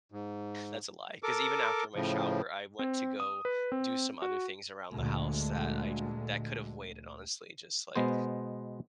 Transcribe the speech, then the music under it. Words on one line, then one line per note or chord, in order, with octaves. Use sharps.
that's a lie, 'cause even after my shower, I went to go do some other things around the house that I that could have waited, honestly; Just, like,
G#2
A4 A#4 D6
A2 C#3 F3
C4
D#6
B4
C4
F#4
D2 A#2 D3 G#3
B2 G#3 B3 C5